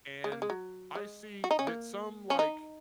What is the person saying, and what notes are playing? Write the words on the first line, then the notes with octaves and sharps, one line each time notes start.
and I see that some, like,
G#3
A#3
G#3
F#3
G#3
F#4
D#4
C#4
A#3
C#4
D#4